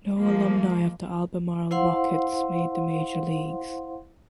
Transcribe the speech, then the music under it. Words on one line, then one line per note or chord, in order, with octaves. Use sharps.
No alumni of the Albemarle Rockets made the major leagues.
F3 G#3 A#3
E4 C5 F5 F#5 C6